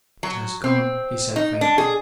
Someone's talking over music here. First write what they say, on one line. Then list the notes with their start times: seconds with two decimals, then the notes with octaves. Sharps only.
"It has gone!" he said faintly.
0.23 F#3
0.64 C4
1.36 D#4
1.61 D4
1.78 G#4